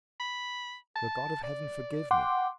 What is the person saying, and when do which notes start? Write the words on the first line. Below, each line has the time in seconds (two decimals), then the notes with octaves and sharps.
The God of heaven forgive me!
0.20 B5
0.96 A5
1.43 D5
2.11 F#5 G5 C6 D6